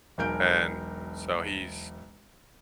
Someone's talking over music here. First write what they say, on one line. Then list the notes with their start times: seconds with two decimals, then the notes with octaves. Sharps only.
And so he's,
0.18 E1 B1 A#4 G#5 G6 D7